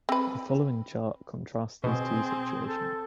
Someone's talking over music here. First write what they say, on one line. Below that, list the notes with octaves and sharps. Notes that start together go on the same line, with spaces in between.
The following chart contrasts these two situations.
C4 B4
B2 C4 G#4
A4